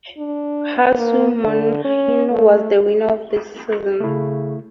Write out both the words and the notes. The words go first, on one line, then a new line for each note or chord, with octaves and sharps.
Hsu Mon Hnin was the winner of this season.
D4
A#3
D3
C#4
A3
C#3 A3 E4